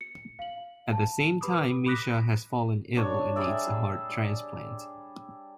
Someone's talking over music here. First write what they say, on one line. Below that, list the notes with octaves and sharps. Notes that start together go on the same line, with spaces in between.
At the same time, Misha has fallen ill and needs a heart transplant.
C#7
F5 F#7
A5
G4 B4 B5 D6 D#6
B5 D6 D#6 F#6 A#6 B6
D4 C#5
G3 G#4 D5 E5